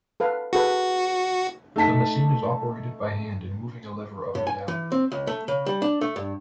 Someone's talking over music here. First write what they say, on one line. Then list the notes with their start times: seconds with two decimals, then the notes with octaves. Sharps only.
The machine is operated by hand in moving a lever up and down.
0.20 A4 B4 F5
0.53 F#4 G#4 A4 B4
1.76 A3 D#4 A5 B6
4.35 A2
4.47 G#5
4.68 E3
4.92 C4
5.12 C#2
5.27 A3
5.48 C#3
5.66 G3
5.82 D4
6.01 A3
6.16 G2